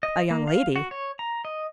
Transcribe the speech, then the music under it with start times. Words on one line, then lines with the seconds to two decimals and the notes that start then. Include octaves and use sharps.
"A young lady?"
0.03 D#5
0.31 A#3
0.48 F5
0.76 F#4
0.91 C#5
1.19 A#5
1.45 D#5